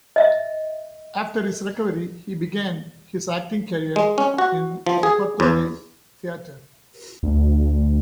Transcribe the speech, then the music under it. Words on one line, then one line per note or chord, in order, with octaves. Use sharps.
After his recovery he began his acting career in repertory theatre.
D#5 E5
G#3
C#4
F#4
F3
G#4
E2
D2